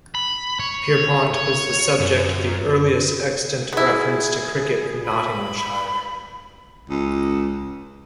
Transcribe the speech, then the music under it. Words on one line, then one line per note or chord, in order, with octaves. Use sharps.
Pierrepont was the subject of the earliest extant reference to cricket in Nottinghamshire.
B5
C#5
C#5
F#2
B3 E4 G#4
B5
C#2